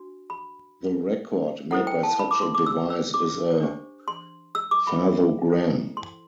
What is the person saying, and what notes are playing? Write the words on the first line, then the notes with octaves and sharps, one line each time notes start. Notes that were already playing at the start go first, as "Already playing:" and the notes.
The record made by such a device is a fathogram.
Already playing: D4 F#4
B5
E4 A4 C5 F#5
G5
A5
B5
D6
C6
D6
E6
E6
D6
D4 G4 C5
C6
E6
D6
B5
E4 A4 C5
C6